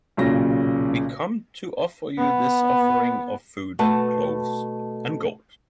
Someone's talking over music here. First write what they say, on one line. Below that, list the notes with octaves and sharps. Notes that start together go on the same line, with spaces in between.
We come to offer you this offering of food, clothes, and gold.
B1 A#2 C#3 A#6
B3
B2 A3 B4 F#5 A5